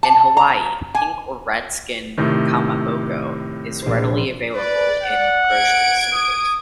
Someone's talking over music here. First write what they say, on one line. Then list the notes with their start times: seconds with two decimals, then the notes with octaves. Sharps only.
In Hawaii, pink or red-skinned "kamaboko" is readily available in grocery stores.
0.03 A5
0.37 A#5
0.95 G#5
2.18 A2 C3 D#3
3.83 A#1 C5
4.55 B4 D5
5.03 F#5
5.51 G#6 D7
6.14 D#6